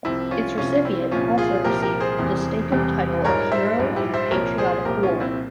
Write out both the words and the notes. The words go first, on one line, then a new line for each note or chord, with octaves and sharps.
Its recipient also received the distinctive title of Hero of the Patriotic War.
C2 C3 F3 C4 E4
C#4 F4
C2 C3 F3 C#4 F4
C4 E4
C2 A#2 F3 C#4 F4
F4 G#4
C2 A#2 F3 G4 A#4
G4 A#4
G#4 C5
E1 E2 C3 E3 G3
E1 E2 C3 E3 G3
A#1 G#2 G3 A#4 C#5
C5 E5
A#1 G#2 G3
E4 G4
C5 E5
C2 A#2 F3 A#4 C#5
G#4 C5
C2 A#2 F3 G4 A#4
C#4 F4
C4 E4